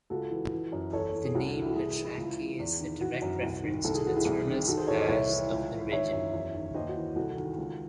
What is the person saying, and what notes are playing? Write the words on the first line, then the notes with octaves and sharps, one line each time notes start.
The name "Loutraki" is a direct reference to the thermal spas of the region.
C#2 F#4 A4
E3
E3
F#2
E2 A4 C#5
E3
G#4
C2 F#4 A4
E3
E4
F#4
C2 E4 G#4
E3
E4
C#2
E3
E2
D#3
E3 F#4
F#2
C2
D#3
C2 A4
G#4
E3 F#4
E4 G#4
C2
D#3
D#3 F#4 A4
G#4 C5
E2 A4 C#5
C5 D#5
C2 C#5 E5
E3
C#2
E3
D#3 C#5 E5
F#2
E2
D#3
D#2 C5 D#5
F#4
E3
C2 F#4 A4
D#3
C#2